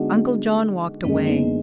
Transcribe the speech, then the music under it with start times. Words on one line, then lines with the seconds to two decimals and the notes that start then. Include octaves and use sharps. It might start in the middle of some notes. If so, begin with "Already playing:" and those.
Uncle John walked away.
Already playing: D3 G#3 B3 D4 D#4 F#4
1.04 F#2 D3 G#3 A#3 D4
1.27 B3 D#4